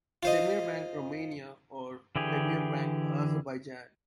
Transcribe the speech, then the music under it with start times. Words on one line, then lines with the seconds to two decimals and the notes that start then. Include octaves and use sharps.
Demirbank Romania or Demirbank Azerbaijan.
0.23 F4 C5 D#5
2.16 D3 E3 G4 G#4